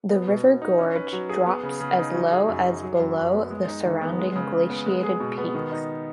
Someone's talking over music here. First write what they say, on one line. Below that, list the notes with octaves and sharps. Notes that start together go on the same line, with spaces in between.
The river gorge drops as low as below the surrounding glaciated peaks.
B3
B2
B2
D#4
C#4
B4
F#3
G#4
B3
C#3
C#3
D#4
F#3
G#4
F#2
D#4
F#3
F#2
F#2
B3
G#3
D#4
D#3
B3
G#3
C#3
C#3
B3
G#3
G#4
B2
B3
D#3
D#4